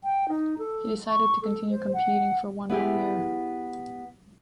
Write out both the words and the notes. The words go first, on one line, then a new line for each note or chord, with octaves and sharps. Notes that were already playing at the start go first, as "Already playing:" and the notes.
He decided to continue competing for one more year.
G5
D#4
A4
C#6
A4
C5
F#5
B3 E4 G4 G#4